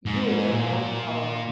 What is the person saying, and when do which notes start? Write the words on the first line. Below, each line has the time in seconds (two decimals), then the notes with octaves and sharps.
You're the wrong colour.
0.06 G#2
0.51 A#2